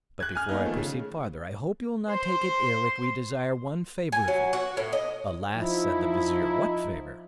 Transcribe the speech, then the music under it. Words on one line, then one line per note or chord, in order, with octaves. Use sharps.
But before I proceed farther, I hope you will not take it ill if we desire one favour of you." "Alas!" said the vizier, "what favour?
F#6 G#6
G#5 F6
A#3 B3 D#4
D#3 F3 A3
C#3
C5 C6
G#5
F#3
F#4
A2
D#5
F3 D#4 E4